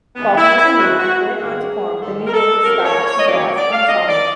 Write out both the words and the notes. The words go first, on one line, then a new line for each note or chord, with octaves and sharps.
Faulkner and Reiter went on to form the New York Ska Jazz Ensemble.
D#2 C#3 E3 G#3 B3
E4
E4
D#2 C#3 E3 G#3 F#4
F#4
G#4
G#2 D#3 G3
G#2 D#3 G3 A4
A#4
A4
F2 C#3 F#3 A#3 A#4
C5
C#5
C#5
D#5
F2 C#3 F#3 A#3 D5
C#5
D5
F5
F2 D3 F#3 D#5
D5